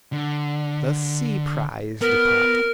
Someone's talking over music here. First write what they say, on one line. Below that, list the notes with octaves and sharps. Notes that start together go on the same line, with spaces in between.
"The Sea Prize Department."
D3
B3 A#4